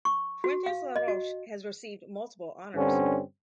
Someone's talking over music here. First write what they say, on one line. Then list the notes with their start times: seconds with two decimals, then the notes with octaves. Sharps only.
Fuentes La Roche has received multiple honours.
0.05 C#6
0.44 F#4
0.66 F5
0.96 D#5
1.08 F#4
2.75 G2 D3 C4 C#4